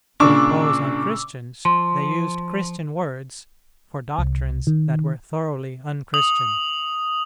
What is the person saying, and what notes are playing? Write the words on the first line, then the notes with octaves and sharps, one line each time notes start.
To impose on Christians they used Christian words for doctrines that were thoroughly unchristian.
A#2 C#3 D4 C#6 D6 E6
F3 C6
C2
D#3
D#6 F#7